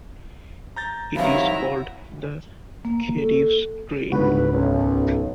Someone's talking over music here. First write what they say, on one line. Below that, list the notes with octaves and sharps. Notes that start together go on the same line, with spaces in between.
It is called the Khedive's Train.
A#5 G6 A6
D#3 E3 F#3 G3 C4 E4 F5 A#5
A#3
A4
G1 C#2 G#2 F#4 B4
B1 F#2